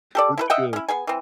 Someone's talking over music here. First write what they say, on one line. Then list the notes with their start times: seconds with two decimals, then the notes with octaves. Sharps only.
it's good.
0.15 G4 A4 D5
0.38 E4 A4 B4
0.50 D#5 E5 F#5 G5
0.73 C#4 E4
0.88 B3 G#4 G#5
1.07 E3 C4